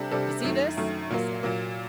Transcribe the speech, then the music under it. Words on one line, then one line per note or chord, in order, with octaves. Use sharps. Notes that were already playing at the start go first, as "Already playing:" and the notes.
"You see this?" he said.
Already playing: C3 G3 D4 A4
C3 G3 D4 A4
F#2 D#3 A3
F#2 D#3 A3
A#2 F#3 A#3
A#2 F#3 A#3